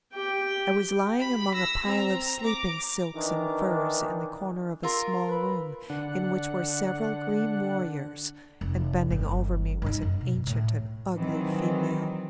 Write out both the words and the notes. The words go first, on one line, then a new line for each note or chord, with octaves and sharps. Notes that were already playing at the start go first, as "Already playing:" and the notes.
I was lying among a pile of sleeping silks and furs in the corner of a small room in which were several green warriors, and bending over me was an ancient and ugly female.
G4 G5
B5
E6 A#6
C4 A#5
A#5 D6
D#3 E3 D4 D#4
F4 A#4 C6 E6
B4 B5
D3 D4 F#5
F1
G1 C#4
G2 D#4
F#2
B2
A2
D#3 E3 F#3 C4